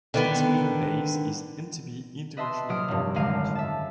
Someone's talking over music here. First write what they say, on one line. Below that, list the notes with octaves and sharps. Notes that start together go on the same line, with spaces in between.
Its main base is Entebbe International Airport.
D3 D#3 B3
B4 D#5 E5 A5 C6
C3 F#3 F#4 D#6 F6 D7
F1 G2
G#1 F#2 D3 G#3 F5 D#7
E5 A5